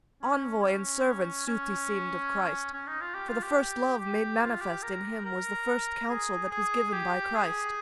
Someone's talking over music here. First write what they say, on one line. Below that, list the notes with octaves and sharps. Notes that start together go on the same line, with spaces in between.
Envoy and servant sooth he seemed of Christ, For the first love made manifest in him Was the first counsel that was given by Christ.
C#4
C#4
C#4
C#4
D#4
F4
G4
F4
G4
G4
F4
G4
A#4
A#4
G#4
G#4
G4
G#4